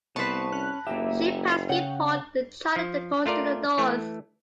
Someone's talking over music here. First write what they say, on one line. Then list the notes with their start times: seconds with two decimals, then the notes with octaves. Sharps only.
The ship passed Cape Horn, then charted a course to the north.
0.16 C2 B3 B4 C5 A5 C#6
0.52 C#4 F#6
0.87 F#1 A#3 G4 E5
1.69 C#3 C#5 F#5 G5
2.76 F3
3.26 A3 F4 A#4 D5
3.78 E3 A3